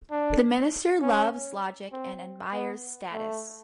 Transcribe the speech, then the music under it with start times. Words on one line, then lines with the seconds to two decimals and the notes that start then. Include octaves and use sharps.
The minister loves logic and admires statis.
0.11 D4
1.02 C#4
1.92 C4
2.53 B3
3.13 A3